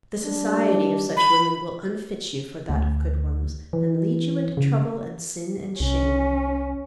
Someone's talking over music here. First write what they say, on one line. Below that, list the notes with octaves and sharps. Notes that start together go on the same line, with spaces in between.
The society of such women will unfit you for that of good ones, and lead you into trouble and sin and shame.
G3 D4
B5
D2
E3
C#3
C2 C#4